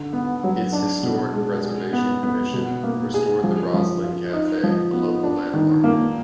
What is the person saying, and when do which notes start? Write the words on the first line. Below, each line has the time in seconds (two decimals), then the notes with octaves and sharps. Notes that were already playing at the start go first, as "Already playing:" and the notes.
Its Historic Preservation Commission restored the Roslyn Cafe, a local landmark.
Already playing: D3
0.13 B3
0.43 F#3
0.73 D4
1.03 B2
1.33 G#3
1.63 G#4
1.93 B3
2.23 B3
2.54 B2
2.83 A#3
3.14 G#4
3.43 F3
3.74 F3
4.04 F4
4.33 D#4
4.63 F3
4.93 B3
5.23 D4
5.53 D#3
5.84 A#3